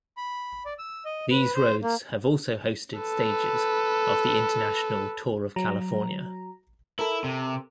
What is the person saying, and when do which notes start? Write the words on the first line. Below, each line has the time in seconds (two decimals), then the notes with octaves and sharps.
These roads have also hosted stages of the international Tour of California.
0.17 B5
0.65 D5
0.79 E6
1.05 D#5
1.31 B4
1.55 C5
1.83 A#3
2.99 A4 B4
5.56 F#3 A#5
6.99 E4 A4 A#4
7.24 C3